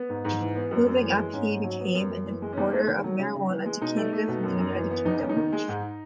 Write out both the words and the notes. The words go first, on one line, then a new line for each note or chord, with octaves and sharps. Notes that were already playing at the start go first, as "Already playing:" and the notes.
Moving up he became an importer of marijuana to Canada from the United Kingdom.
Already playing: B3
G#2
G#2
E3
B3
F#2
F#2
E3
G#3
G#2 C#4
G#2
F#3
B3
F#2
F#2
E3
G#3
C#4
E2 D#4
A3
D#3
F#3
C#3
C#3
E3
G#3
B2 D#4
A3
A3
B2
F#2
F#2
E3
B3
E2 D#4
E2 C#4
D#4
D#3
G#3
G#2